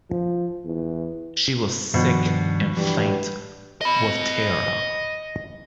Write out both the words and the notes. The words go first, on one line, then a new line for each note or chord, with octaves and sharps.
She was sick and faint with terror.
F3
E2
G2 B2 D#3 F3 D4
G2 E3
D#5 B5